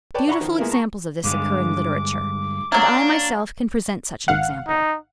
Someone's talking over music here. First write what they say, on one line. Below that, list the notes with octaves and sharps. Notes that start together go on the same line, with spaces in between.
Beautiful examples of this occur in literature, and I myself can present such an example.
B4 C#5 D5 G5 A5
D5 E5 F#5 A#5 B5 C#6
D#3 F3
G#3 A#3 B3 E4 F4 A#4
A5 A#5 C#6
G2 D3 G#3 D6
F#3 A#3 D4
G#1 F5 F#5
D#4